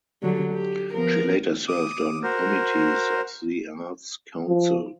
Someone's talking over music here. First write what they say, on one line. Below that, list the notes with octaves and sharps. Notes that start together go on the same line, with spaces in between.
She later served on committees of the Arts council.
D3 F#3 G3
G4
F3 B3 A#4
D6 D#6
F#4 A#4 C5
F3